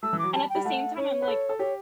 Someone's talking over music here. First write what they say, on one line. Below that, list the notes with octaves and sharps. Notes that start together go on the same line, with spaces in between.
and at the same time, I'm like,
A3 E6
E3
F#3 D6
G3 A5
G5
G3
A3 F#5
C#4 C#5
B4
A4
A4
G4 C#5